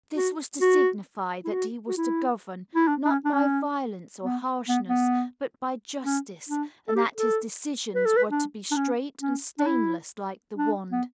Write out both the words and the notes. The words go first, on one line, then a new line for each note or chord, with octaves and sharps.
This was to signify that he was to govern, not by violence or harshness, but by justice, and that his decisions were to be straight and stainless like the wand.
F#4
F#4
E4
F#4
F#4
E4
E4
D4
D4
C#4
D4
C#4
B3
B3
B3
C#4
D4
A4
G4
A4
B4
A4
B4
D4
D4
C#4
C#4
D4
E4
D4
B3